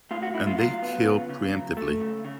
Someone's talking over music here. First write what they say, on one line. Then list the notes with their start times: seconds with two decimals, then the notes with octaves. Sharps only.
And they kill pre-emptively.
0.11 A2 F4
0.23 F#4
0.34 A2 E4
0.47 F4
0.58 F#3 F4
0.82 B3
1.06 C#3
1.29 C#3
1.54 F#3
1.77 A3
2.01 C#3
2.25 C#3